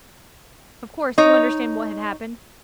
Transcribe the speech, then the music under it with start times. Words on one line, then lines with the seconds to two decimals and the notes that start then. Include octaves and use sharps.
Of course, you understand what had happened?
1.18 D#4 C#5